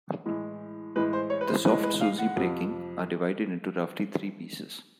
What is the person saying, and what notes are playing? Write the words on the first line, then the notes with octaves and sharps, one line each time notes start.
The soft susy breaking are divided into roughly three pieces.
A2 E3 G#3
A2 E3 G#3 B4
C5
C#5
B4
C5
A2 E3 G#3 B4
B4
F5
F#5
F2 C3 F3